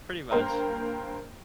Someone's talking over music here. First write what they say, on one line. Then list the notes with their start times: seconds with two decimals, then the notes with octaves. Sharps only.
Pretty much.
0.31 G2 A#3 A#4 C5 G5 A#5